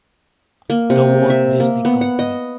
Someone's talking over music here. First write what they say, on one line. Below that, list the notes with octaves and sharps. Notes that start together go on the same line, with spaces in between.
The Walt Disney Company.
A#3
C3
E5
A#3
B3
F#5
D#5